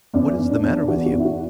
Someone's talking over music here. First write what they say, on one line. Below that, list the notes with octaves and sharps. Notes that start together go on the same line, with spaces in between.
"What is the matter with you?"
E2 C#4
E2
D4
E2
E3 F#4
F#4
E2
E4
F#4